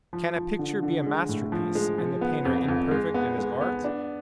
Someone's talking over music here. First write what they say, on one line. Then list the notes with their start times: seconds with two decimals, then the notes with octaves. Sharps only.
Can a picture be a masterpiece and the painter imperfect in his art?
0.13 F3
0.36 F3
0.59 D3
0.83 D3
1.06 G#3
1.29 A2
1.52 F3
1.75 G#3
1.98 F3
2.21 B3
2.45 F2
2.68 F2
2.91 G#3
3.14 B3
3.38 G#3
3.61 B3
3.84 D4